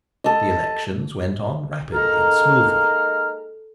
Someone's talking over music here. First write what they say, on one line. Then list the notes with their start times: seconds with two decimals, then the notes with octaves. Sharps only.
The elections went on rapidly and smoothly.
0.24 A4 D#5
1.93 G#3 A#3 D#4 A4 A#5 F6